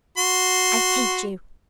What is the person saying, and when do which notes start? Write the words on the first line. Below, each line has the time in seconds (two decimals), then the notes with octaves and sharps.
I hate you.
0.18 F#4 C6